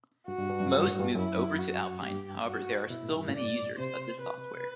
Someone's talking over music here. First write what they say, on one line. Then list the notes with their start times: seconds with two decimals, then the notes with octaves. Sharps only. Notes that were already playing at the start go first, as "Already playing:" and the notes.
Most moved over to Alpine, however there are still many users of this software.
0.27 G2 F#4
0.38 G2
0.49 G2
0.60 F#2
0.71 G2
0.87 A2
1.00 G2
1.15 F#2 E4
1.59 F#4
2.03 G2 G4
2.47 F#4
2.90 B2 E4
3.03 A2
3.15 G2
3.28 A2
3.35 D5
3.79 C3 C5
4.22 B4